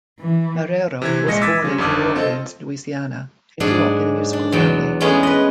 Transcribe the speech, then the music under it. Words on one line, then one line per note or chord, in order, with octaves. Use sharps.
Marrero was born in New Orleans, Louisiana and grew up in a musical family.
E3
C3 E3 G#6
A#1 F3 G#3 D#5 A#6 C#7
D6 E6 G#6 A6 B6 D#7
C#3 F3 G3
G1 F2 D4 D6 D#6 F6
C4 F4 A4 D#5
G#2 F#3 D4 G#4
D4
E2 F#3 G5
G#3 A3 B3 C#4 G#4
B4 D#5